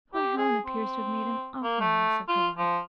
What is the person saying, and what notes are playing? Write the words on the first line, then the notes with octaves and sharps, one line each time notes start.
Poor Helen appears to have made an awful mess of her life.
G4
G#4
C4
A#3
A3
F4
F3